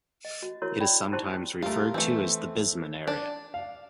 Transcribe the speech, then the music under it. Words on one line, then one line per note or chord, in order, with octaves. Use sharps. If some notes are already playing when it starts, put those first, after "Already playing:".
It is sometimes referred to as the Bisman area.
D#5
F#4
E4 F#4 A#4 C#5 C6
D5 G5 B5
D#4 E4 G4 C5 A5 C6
G3 A3 F4 A#4
E3 A3 C4
D4 D5
F5